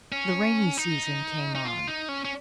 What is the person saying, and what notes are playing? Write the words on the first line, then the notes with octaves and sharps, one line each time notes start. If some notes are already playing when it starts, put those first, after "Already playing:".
The rainy season came on.
C#4
D#4
D#4
F4
D#4
C#4
C#4